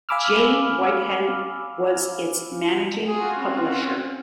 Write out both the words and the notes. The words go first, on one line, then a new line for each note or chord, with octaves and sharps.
Jay Whitehead was its Managing Publisher.
F5 G#5 B5 D6 E6 F6
F4 F#4 G#4
C4 C#4